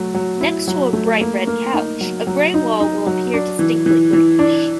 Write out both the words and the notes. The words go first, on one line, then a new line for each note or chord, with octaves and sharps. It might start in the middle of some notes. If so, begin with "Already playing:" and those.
Next to a bright red couch, a gray wall will appear distinctly greenish.
Already playing: F#3 A3
F#3
E4
F#3
A3
A#3
A#3
D#4
F#3
F#3
D#4
D#4
F#3
D4
E3
E3
E3
D4